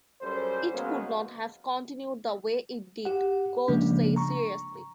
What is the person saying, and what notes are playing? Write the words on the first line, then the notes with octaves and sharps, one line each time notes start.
"It could not have continued the way it did," Gould says seriously.
F#2 G3 G#4 A4 C5
C#3 F#3 G#3 A#3 B3 C#4
G4 F#5
C#3 F3 G#3 A#3 D4
A#5 C#6